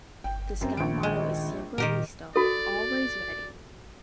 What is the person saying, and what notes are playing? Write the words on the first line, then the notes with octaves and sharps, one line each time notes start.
The Scout Motto is "Siempre listo", "Always ready".
G1 G5
F#2 C4
A#1 D#3 D7
G#3
A#2 D#3 G4 A#4
F#4 A4 D5